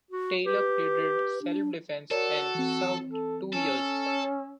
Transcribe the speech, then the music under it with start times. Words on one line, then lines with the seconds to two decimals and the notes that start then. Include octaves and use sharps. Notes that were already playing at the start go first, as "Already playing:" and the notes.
Taylor pleaded self-defense and served two years.
0.11 F#4
0.45 G4 B4
1.42 D4
2.11 F#4 A4 A#4 C#5 D5
2.55 E3 C4
3.10 A4
3.53 C#4 A4
4.06 C#5 E6